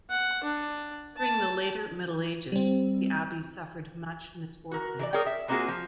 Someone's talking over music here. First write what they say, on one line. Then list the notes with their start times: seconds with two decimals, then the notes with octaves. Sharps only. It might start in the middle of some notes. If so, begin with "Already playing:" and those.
During the later Middle Ages, the abbey suffered much misfortune.
0.10 F#5
0.44 D4
1.17 A5
2.52 G3 C4
4.71 F#4 A#4
4.99 E3 A#4 D5
5.13 G#4 A#4 C#5 D5 G5
5.26 E5
5.48 G#3 A#3 C4 F4 F#4 G#4
5.68 F3